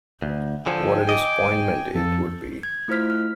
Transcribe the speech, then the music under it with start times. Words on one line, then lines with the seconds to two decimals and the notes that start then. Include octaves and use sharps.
What a disappointment it would be!
0.22 D2
0.66 D3 F3 A4 G5 G#5
1.09 D#5 D6
1.95 F2 A4
2.63 G#6
2.88 A3 E4 F4 C5 F6 B6
3.10 F6